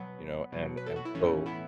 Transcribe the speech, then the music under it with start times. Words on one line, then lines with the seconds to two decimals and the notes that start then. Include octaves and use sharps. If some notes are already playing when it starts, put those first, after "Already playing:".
You know, and and so
Already playing: B2 F#3 B3
0.52 B2 F#3
0.77 B4
0.86 A4
0.96 F#4
1.05 E4
1.15 A2 E3 A3 C#4
1.46 B3 E4